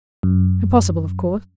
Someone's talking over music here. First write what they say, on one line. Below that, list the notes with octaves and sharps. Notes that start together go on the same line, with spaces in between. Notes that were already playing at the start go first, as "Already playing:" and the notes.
Impossible--of course.
F#2